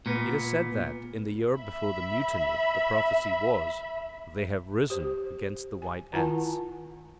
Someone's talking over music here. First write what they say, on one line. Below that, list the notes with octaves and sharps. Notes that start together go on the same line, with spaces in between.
It is said that, in the year before the Mutiny, the prophecy was "They have risen against the white-ants."
A#2 B3
E5 B5
G4 C5
G#5
D#3 E4 F4 F#5 G#5 A5